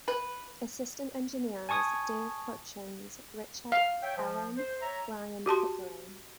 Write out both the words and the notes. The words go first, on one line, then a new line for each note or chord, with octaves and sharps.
Assistant engineers: Dave Hutchins, Richard Elen, Brian Pickering.
B4
G#5 A5 C#6 D#6 G#6
F5
C#5 E5 G5
F3
C5
C#5 E5 A#5
F#4 G4 A5 C6